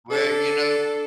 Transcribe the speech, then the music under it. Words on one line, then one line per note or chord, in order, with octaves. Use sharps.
Well, you know,
D4 A4